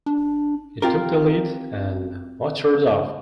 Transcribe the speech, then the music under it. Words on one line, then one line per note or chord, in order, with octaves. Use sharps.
He took the lead and motored off.
D4
C4 F4 G4 A#4